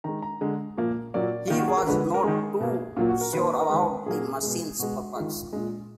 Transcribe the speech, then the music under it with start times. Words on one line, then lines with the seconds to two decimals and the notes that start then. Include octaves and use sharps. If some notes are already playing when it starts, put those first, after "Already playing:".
He was not too sure about the machine's purpose.
0.04 D#3 G#3 A#5
0.22 A#5
0.41 D3 G#3
0.77 A#2 F3 A#3
1.14 A#2 F#3 A#3 D5
1.48 D#3 A#3 F4
1.58 F#4
1.68 G#4
1.77 A#4
1.87 D3 F3 G#3 B4
2.14 A#4
2.24 D#3 G#3 G#4
2.60 B2 A#3
2.96 A#2 F#3 A#3 F4
3.09 F#4
3.21 A#4
3.33 D#3 A#3 B4
3.52 B4
3.61 A#4
3.69 D#3 G#3 B4
4.06 A#2 F#3 A#3 G#4
4.43 B2 G#3
4.79 B2 G#3 F#4
5.16 D#3 G#3 F4
5.53 A#2 G#3